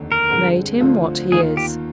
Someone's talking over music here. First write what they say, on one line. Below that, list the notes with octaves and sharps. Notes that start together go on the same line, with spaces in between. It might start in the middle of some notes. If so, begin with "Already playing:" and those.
Made him what he is!
Already playing: F1 D#2 D3
A#4
G2 D3 G#3 C4
D2 D3 F3 C4 F4
D#2 D#3 A#3 F4 G#4
G4